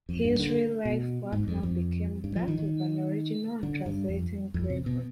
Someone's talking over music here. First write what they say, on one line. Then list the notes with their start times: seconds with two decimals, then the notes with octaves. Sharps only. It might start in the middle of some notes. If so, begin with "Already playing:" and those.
His real life-work now became that of an original and translator engraver.
0.09 F2
0.25 G2
0.39 D3
0.85 B2
1.32 G#2
1.48 F2
1.63 F2
2.24 G2
2.36 F3
2.48 D#3
2.59 D#3
3.63 D3
3.86 G2
4.09 F2
4.54 F2
4.70 C3
4.86 B2